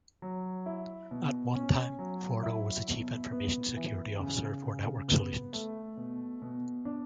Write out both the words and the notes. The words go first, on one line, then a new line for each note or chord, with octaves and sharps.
At one time, Forno was the Chief Information Security Officer for Network Solutions.
F#3
E4
B2
C#4
F#3
E4
B2
B3
E3
C#3
C#3
B3
A3
B2
B2
D4